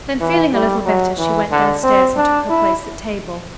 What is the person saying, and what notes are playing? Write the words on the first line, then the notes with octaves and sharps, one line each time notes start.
Then, feeling a little better, she went downstairs, and took her place at table.
E3
G3
F#3
E3
D3
C4
D4
E4